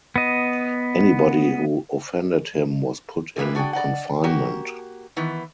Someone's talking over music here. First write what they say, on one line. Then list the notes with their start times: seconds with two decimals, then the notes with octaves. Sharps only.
Anybody who offended him was put in confinement.
0.16 B3 D#5
3.36 C3 G#3 A#3 B4
3.55 D4 F#4 G#4 C#5 D5 G5
3.73 D5 D#5 F#5
4.23 A#3 F#4 G4 A#4
5.16 D#3 E3 B3